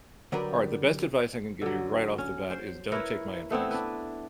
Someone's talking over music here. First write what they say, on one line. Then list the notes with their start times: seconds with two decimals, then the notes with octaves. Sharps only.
All right, the best advice I can give you right off the bat is don't take my advice.
0.32 D3 F#3 G3 G4 A#4 B4
1.62 D3 F#3
2.18 C#4
2.50 C5
2.92 E4 A#4 B4 C#5
3.51 A3 B3 C4 E4
3.71 D4 B4